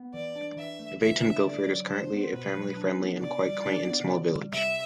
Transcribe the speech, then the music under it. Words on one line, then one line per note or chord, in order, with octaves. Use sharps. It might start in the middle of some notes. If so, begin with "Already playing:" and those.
Aveton Gifford is currently a family friendly and quite quaint and small village.
Already playing: B3
E3 D5
D4
E3 E5
A3
E3 E5
D4
D3 D5
F#3
D4 C5
B3
B2 B4
F#3
D4
B3
C3 D5
G3
D4
B3
C3
G3
C3 E5